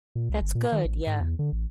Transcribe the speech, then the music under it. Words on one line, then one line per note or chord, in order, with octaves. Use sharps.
That's good. Yeah.
A#2
C2
G1
A#2
D#3
A1
G#2
E2
D3
A1